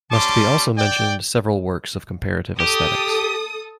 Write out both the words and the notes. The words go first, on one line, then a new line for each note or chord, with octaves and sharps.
Must be also mentioned several works of comparative aesthetics.
G3 C#4 A5 C6 D6
D5 G5
G4 A4 D#6